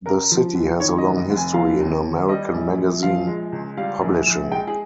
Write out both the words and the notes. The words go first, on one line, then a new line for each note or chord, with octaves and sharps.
The city has a long history in American magazine publishing.
C#3 A#4
F3
F1
D#3 C#5
D#5
F1
D#5
F1
G#5
F3 F5
D#2
D#2
G3 D#5
A#1
A#1
F3 F5
G#3
C#2
G3 F5
A#1
A#1
G#3 G5
G#4